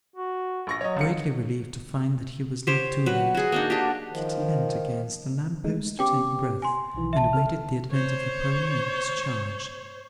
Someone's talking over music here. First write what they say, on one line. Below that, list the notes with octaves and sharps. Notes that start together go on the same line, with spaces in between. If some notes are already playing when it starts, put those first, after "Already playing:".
Greatly relieved to find that he was not too late, Kit leant against a lamp-post to take breath, and waited the advent of the pony and his charge.
F#4
A#1 C#6 A#6
F#3 C#5 D#5
C#2 C#7
G4 C5 C#5
F#3 B4
F#4 G#4
A#3 D4 D#4
D4 F#4 G4
D#3 F3
G#3 A3 D#4
B3 C#4 G4 G5 D6
G#5 C6
B1 D#3 E3
E5 A5
A4 F6
C5 C#5